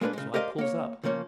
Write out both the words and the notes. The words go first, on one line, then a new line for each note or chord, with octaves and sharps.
So I pulls up.
G#3 A#3 B3 D4 B4
C#3 G#3
G4 A#4 C5 D5 D#5 F5
A#3 C#5
C#3 F3 A#3 C#4